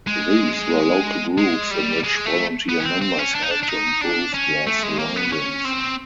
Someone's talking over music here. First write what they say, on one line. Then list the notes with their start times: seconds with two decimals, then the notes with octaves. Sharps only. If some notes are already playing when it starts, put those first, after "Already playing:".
These were local groups in which volunteer members helped to improve their surroundings.
0.07 G#3
1.38 G#3
1.70 G3
2.04 G#3
2.26 A3
2.69 B3
2.80 C#4
2.85 C4
3.02 C4
3.19 C#4
3.35 D4
3.42 D#4
3.51 D4
3.63 D4
3.68 D#4
4.01 D4
4.34 C#4
4.67 A3
4.83 G#3
4.99 A#3
5.16 B3
5.32 C#4
5.65 C4